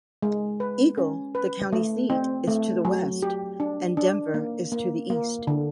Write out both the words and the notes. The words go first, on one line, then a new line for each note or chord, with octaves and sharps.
Eagle, the county seat, is to the west, and Denver is to the east.
G#3
B4
C#4
B4
A3
C4
A3
F#3
G4
D4
D4
A#3
A#3
A#3
D3